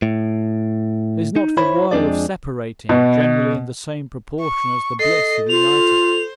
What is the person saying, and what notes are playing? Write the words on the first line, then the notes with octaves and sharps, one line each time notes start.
Is not the woe of separating generally in the same proportion as the bliss of uniting?
A2
D#4
E4 C5 C#5 B5
F2 G#3 C4 D4 G#4 D5
B2
C#6
A4 D#5 C7
F4 C5 F7